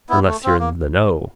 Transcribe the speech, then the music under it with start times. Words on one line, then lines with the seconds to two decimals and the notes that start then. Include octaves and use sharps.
Unless you're in the know.
0.09 B3 E4
0.27 A3
0.44 C4 F4
0.59 A#3